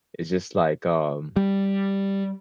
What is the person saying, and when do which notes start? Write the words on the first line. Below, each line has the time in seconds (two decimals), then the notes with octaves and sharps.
is just, like, um,
1.36 G3